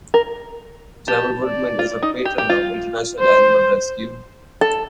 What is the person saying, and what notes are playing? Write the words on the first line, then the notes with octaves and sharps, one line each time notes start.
Trevor Woodman is a patron of International Animal Rescue.
A#4
G4 A5
D5
F4
D#4
G4
G4
F4
C5
A4